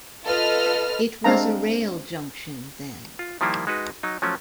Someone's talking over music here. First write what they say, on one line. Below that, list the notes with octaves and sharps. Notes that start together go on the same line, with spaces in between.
It was a rail junction then.
F4 A4 B4 D#5 F6
G#3 C4 D4 F5 A5 A#5
F4
D#3 F3 G3 A#3 E4 F4
G#3 D#4 F#4 B4
F#3 D#4
F3 F#3 A3 C#4